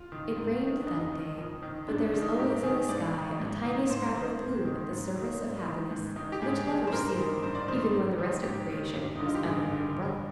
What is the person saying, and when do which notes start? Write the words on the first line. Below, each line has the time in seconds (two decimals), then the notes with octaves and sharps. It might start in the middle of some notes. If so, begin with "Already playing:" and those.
It rained that day, but there is always in the sky a tiny scrap of blue at the service of happiness, which lovers see, even when the rest of creation is under an umbrella.
Already playing: F4
0.12 D#3
0.37 G#2
0.62 D#3
0.82 D4
0.87 F2 D#4
1.12 D#3
1.38 F2
1.62 D#3
1.88 G#2 D4
2.05 D4
2.13 D#3
2.22 D#4
2.38 G#2 G4
2.63 D#3 G#4
2.89 G#2 D5
3.14 D#3
3.40 G#2
3.65 D#3
3.90 G#2 C5
4.15 D#3
4.40 G#2
4.65 D#3
4.91 G#2
5.16 D#3
5.41 G#2
5.66 D#3
5.91 G#2
6.16 D#3 D#4
6.32 G4
6.42 G#2 G#4
6.66 D#3 G#4
6.87 C5
6.92 G2 A#4
7.09 C5
7.18 D#3
7.43 G2 C5
7.55 D5
7.68 D#3 C5
7.94 G#2
8.18 D#3
8.43 G#2 G4
8.69 D#3
8.93 G2
9.16 D3 D#4
9.25 F4
9.35 G4
9.44 G2 G#4
9.70 D3
9.95 G2